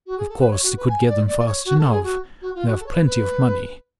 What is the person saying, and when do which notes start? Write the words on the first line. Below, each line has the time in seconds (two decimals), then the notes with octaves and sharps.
Of course they could get them fast enough, they have plenty of money.
0.06 F#4
0.17 G#4
0.28 A4
0.39 B4
0.50 C#5
0.63 F#4
0.76 B4
0.88 G#5
1.07 D5
1.26 D5
1.38 D5
1.46 C#5
1.65 F#4
1.78 A4
1.90 G#4
2.03 F#4
2.41 F#4
2.54 F4
2.66 F#4
2.79 A4
2.86 C#5
2.92 B4
3.05 B4